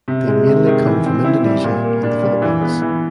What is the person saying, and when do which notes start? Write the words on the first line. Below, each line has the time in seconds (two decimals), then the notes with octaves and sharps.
They mainly come from Indonesia and the Philippines.
0.08 C3
0.27 G#3
0.47 C3
0.66 D#3
0.86 E3
1.06 C4
1.25 E4
1.44 G3
1.64 A#2
1.84 A#3
2.03 D4
2.22 G3
2.42 E3
2.61 B3
2.82 E3